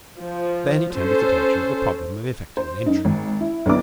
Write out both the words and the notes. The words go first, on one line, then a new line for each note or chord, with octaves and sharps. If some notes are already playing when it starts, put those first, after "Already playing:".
Then he turned his attention to the problem of effecting an entry.
F3
C#4 A4 C5
C5
F#2 D#4
G#1
E4
B1 D3 B3 E4 D5 D6